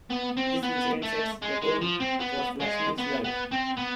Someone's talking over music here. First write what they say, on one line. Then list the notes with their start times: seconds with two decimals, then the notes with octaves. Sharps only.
This incident sets the tone for Flashman's life.
0.10 B3
0.37 C4
0.63 B3
1.02 A3
1.42 G#3
1.62 G#3
1.81 F3
2.00 C4
2.20 B3
2.60 G#3
2.98 B3
3.24 B3
3.51 C4
3.77 B3